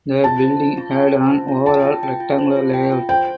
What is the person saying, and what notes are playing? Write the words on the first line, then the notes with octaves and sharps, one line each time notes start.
The building had an overall rectangular layout.
F4 A5
C5
F4
F4
G5
C5
F4
F4
G5 A5
F4
G5
F4
C5
F4
G5
F4
C5 G5